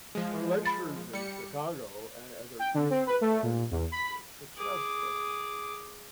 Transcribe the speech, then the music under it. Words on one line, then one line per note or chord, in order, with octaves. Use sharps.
Her lectures in Chicago and other Eastern areas were successful.
F3 G#3
B5 A6
G3 C#7
G5
D3
C4
B4
A3
A#2
E2
B5
G#4 D6